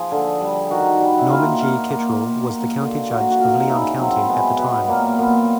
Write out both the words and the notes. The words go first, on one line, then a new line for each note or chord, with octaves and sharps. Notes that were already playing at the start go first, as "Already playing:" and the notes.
Norman G. Kittrell was the county judge of Leon County at the time.
Already playing: F3 G#4
D3
G3
D#3 F#4
G3
E4
A#3 F4
A#3 F4
A#3
A#3
A#3
D3
A#3 F#4
F#4
A#3 F4
D#4
C#3 E4
F#3 C4
G#3 B3
B2 B3
A#2 A#3
A#2 B3